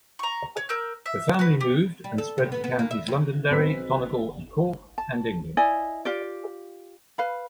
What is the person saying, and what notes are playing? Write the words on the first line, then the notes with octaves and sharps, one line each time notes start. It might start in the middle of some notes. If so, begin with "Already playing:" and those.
The family moved and spread to counties Londonderry, Donegal and Cork, and England.
A#5 C#6
C#5
A#4 E6 G6
E5
F#4 B4
G4
G3
A4
C3
B3
B3
A#3
E5
F2
B1 C4 B4 E6 B6
A5
E4 D5 D#5 G#5
F4 G4 D5
B4 F5 B5